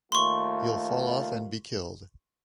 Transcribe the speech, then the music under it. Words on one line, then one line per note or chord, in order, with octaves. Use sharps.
You’ll fall off and be killed.
D#2 A3 F4 C6 C#6